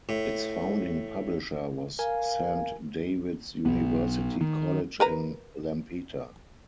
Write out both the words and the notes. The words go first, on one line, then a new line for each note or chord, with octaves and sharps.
Its founding publisher was Saint David's University College in Lampeter.
A2
A#4 F5 G#5
B1 B3
D#3
A#4 B4 A#5